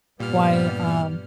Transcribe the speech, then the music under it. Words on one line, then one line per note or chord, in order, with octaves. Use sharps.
why um
G2 A#2 G3 B3 F6